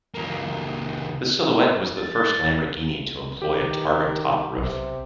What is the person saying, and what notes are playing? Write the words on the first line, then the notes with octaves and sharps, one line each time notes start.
The Silhouette was the first Lamborghini to employ a targa top roof.
C#2 A#3
A6
D#3 G4
B1 C3